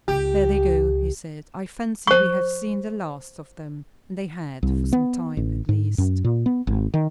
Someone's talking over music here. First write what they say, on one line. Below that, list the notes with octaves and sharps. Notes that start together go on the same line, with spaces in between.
"There they go," he said; "I fancy we have seen the last of them." And they had, for some time at least.
C#2 G4
C5 C#6
C2
B3
A1
G#2
F#2
A#2
B3
G#1
D#3